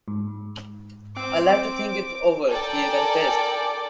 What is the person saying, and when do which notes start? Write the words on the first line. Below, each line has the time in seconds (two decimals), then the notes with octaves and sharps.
"I'd like to think it over," he, confessed.
0.08 G#2
1.16 C4 D6
2.50 A4 A#4 D5 G5 G#5 D6